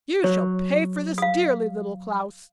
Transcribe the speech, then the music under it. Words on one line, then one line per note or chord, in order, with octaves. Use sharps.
'You shall pay for this dearly, Little Klaus!'
F#3 C#5
F5 D#6